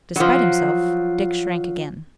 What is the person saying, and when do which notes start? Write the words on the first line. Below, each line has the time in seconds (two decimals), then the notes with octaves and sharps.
Despite himself Dick shrank again.
0.16 F3 F#3